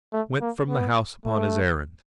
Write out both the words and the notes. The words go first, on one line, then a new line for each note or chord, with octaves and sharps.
He went from the house upon his errand.
A3
A#3
B3
A3